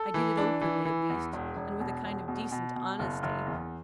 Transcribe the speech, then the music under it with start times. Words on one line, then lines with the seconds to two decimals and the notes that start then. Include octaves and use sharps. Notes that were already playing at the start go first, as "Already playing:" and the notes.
I did it openly, at least, and with a kind of decent honesty.
Already playing: A4
0.14 E3
0.38 D4
0.61 E3
0.85 E3
1.10 E2
1.33 E1
1.57 E1
1.80 B2
2.04 E1
2.28 B2
2.51 B2
2.75 B2
2.99 F#1
3.23 F#1
3.46 E2